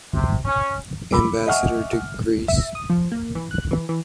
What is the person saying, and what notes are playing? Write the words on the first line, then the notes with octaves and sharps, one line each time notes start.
Ambassador to Greece.
C3
C#4
B5 D6 E6
D#5 E5 F#5 G#5 C#6 F6
E5
D#6
F3
A#3
E3
F#6
E3
E3